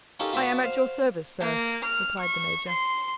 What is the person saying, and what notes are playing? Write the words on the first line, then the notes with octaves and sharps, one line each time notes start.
"I am at your service, sir," replied the major.
C#4 D#4 F4 G4 A4 A#4
F4 F#4 B4 D5 A5
C5 F5
A#3
F6
C#6
C6